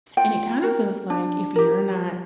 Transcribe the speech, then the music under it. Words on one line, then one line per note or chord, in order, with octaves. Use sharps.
and it kinda feels like if you're not
F4 G5
A#4
D4
G4 A#4